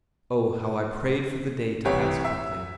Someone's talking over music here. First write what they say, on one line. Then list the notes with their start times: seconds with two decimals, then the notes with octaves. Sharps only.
Oh, how I prayed for the day to pass quickly!
1.85 C2 E3 G4 C#5
2.25 E5